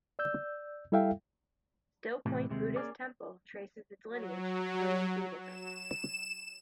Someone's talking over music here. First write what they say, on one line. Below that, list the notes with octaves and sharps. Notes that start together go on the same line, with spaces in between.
Still Point Buddhist Temple traces its lineage to Korean Buddhism.
D5 E6 G6
G3 E4 A4 E5 F5 G5
A2 C3 E3
D#2 C3 G#3
A#3 C#4 G#4 D5
F#3
E7